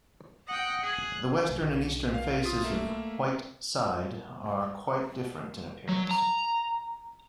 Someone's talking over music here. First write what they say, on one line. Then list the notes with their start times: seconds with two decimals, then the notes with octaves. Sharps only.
The western and eastern faces of White Side are quite different in appearance.
0.48 D#5 F#5 G5
0.82 G#4 F#6
1.49 B1
2.14 F5
2.43 F4 D#6
2.64 A3 A#3 E5
5.89 F#3
6.11 A#5